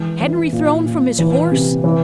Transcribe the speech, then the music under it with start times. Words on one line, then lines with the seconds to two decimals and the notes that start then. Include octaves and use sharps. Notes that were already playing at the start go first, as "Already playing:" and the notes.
Henry thrown from his horse?
Already playing: E3 G#3
0.20 E3
0.52 A#2
0.86 A#2
1.19 E3
1.51 C3
1.84 E3